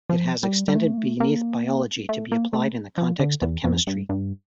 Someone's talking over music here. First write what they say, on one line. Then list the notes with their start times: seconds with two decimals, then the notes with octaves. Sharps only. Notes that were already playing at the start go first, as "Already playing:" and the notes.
It has extended beneath biology to be applied in the context of chemistry.
0.09 F3
0.43 G3
0.68 G3
0.76 A3
0.94 A#3
0.98 A3
1.20 A#3
2.09 A3
2.32 A#3
2.53 A3
2.98 F3
3.19 D3
3.42 E2
3.64 F2
3.87 G2
4.09 G2